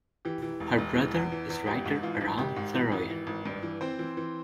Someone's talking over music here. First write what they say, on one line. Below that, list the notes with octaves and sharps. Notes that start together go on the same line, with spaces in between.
Her brother is writer Aram Saroyan.
E3 G4
E3
E1
E1
E3
E2
E3
E2
G#1 G4
G#2
E3 F4
G#1
G#1 G4
G#2
E3
G#1
E3
G#1
G2
E3
E3 C4 C5
E3
E3